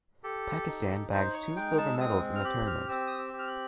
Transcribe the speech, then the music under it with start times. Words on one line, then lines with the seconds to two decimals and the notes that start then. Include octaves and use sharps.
Pakistan bagged two silver medals in the tournament.
0.24 G4 A4
0.68 D#4
1.12 D#4 C5
1.34 C#5
1.56 G#3 G5
1.78 A5
1.94 E6
2.00 C4 D#6
2.35 F6
2.44 G4 F#6
2.67 F6
2.89 C4 E6
3.07 D#6
3.18 E6
3.33 G4
3.39 F6
3.48 F#6